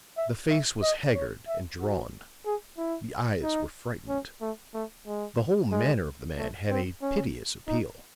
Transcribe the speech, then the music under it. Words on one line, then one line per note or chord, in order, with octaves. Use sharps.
The face was haggard and drawn; the eyes were frightened; the whole manner of the man had a piteous appeal.
E5
E5
D#5
C#5
E5
F#4
G#4
E4
D#4
C#4
A3
A3
G#3
G#3
A3
C4
C#4
D#4